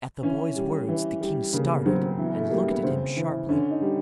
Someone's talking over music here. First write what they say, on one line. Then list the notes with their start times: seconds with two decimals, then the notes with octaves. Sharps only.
At the boy's words the king started and looked at him sharply.
0.23 E3 C#4
0.56 G3
0.88 E3
1.21 G3
1.53 C#3 A#3
1.70 B3
1.86 F#3 C4
2.02 C4
2.18 E3 B3
2.35 A3
2.51 G3 A#3
2.68 B3
2.83 C#3 C4
3.16 E3
3.49 D3 C#4
3.70 D#4
3.81 G3